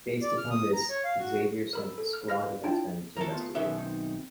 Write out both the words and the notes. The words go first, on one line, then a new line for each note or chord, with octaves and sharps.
Based upon this, Xavier sent a squad of X-Men to investigate.
D5
F6
D#6
A#5
C#5
F5
F#4
A#4 B5 E6
A4
F6
F5 F6 A#6
B4
D4 E4 F4 G5 A5
D#3 E3 F#4 A#4 A5
A3 B3 F4
B1 D#3 C#4 A4 B4 E5
C4 D#4